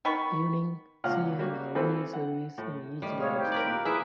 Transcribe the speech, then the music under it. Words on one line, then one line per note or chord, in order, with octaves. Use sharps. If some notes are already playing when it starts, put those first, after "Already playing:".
Evenings see an hourly service in each direction.
D#3 B3 B5 C#6
C#2 A#2 C#4 F4 F#5 F6
G3 A#3 F#4
E3 F3 C4 A4 B4
F#5
A2
A2 D#3 G3
G#3 C#5 F5 D#6
C4 D#4 G4
A#4 B4 D5
A#2 F5 F#6
E4 G#4 B4 E5